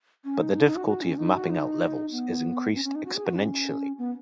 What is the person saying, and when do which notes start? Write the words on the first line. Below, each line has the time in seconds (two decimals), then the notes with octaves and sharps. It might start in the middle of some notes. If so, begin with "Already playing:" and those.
But the difficulty of mapping out levels is increased exponentially.
0.24 C#4
0.40 D#4
0.51 C#4
0.55 D#4
0.66 D#4
0.76 F#4
0.87 F#4
1.02 C#4
1.18 D#4
1.34 F#4
1.50 D#4
2.12 B3
2.74 C#4
2.84 C#4
2.95 D#4
3.05 F#4
3.15 G#4
3.25 F#4
3.36 C#4
3.98 B3